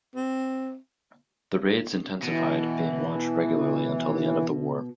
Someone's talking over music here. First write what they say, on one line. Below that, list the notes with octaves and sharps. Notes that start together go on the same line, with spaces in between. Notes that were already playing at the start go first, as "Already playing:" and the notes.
The raids intensified, being launched regularly until the end of the war.
C4
B2 E3